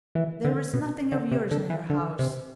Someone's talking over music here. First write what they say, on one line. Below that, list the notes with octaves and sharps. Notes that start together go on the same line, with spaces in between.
There was nothing of yours in her house.
E3
D3
B2
D3
C3
D3
E3
D3
C3